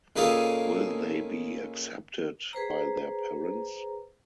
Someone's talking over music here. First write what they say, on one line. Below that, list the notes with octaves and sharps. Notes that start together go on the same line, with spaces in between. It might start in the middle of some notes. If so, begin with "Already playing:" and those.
Will they be accepted by their parents?
A#2 C#3 D#4 G#4 A4 F5
G#4 B4 C5 A#5